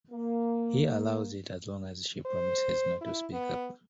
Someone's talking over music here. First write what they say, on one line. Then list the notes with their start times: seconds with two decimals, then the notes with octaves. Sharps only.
He allows it as long as she promises not to speak up.
0.11 A#3
2.25 C5
3.01 E4
3.32 B3